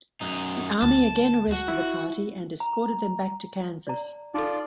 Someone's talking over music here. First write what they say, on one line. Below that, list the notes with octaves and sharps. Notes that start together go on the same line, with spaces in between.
The Army again arrested the party and escorted them back to Kansas.
F#2 D#4
D2 A5
F#4
E4
A#5
D5 A#5
D#4 F4 A4 D5